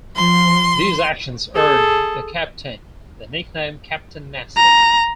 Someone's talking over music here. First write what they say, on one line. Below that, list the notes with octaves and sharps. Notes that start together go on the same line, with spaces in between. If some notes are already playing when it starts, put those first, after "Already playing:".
These actions earned the captain the nickname "Captain Nasty".
F3 C6
G#4 A4
A#5